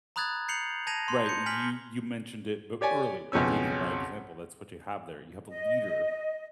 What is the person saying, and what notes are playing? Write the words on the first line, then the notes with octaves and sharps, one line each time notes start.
Right, you you mentioned it but earlier, leading by example, that's what you have there, you have a leader,
A#5 B5 D#6 F#6 G#6 A6
G6 C7 C#7 F7 F#7
A5 G#6 A#6 D#7 F7
C6
G6 C#7
G#5 F6 B6 F#7
G4 C#5 D5 G#5
B1 F2 C#3 C#4 E6
D#5